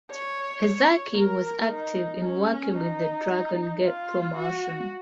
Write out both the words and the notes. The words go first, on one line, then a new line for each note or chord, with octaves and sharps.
Ezaki was active in working with the Dragon Gate promotion.
C#5
C#5
A#4
D#4
C#4
D#4
F4
F#4